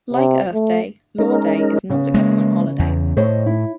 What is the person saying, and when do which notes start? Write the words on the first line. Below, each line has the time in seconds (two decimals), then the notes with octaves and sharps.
Like Earth Day, Law Day is not a government holiday.
0.13 C3
0.53 A3
1.18 G#3 C#4 D#4 A#4
1.90 C#3 B3
2.14 G#3 A#3
2.79 E2
3.17 A2 C5 C#5 D#5
3.46 E4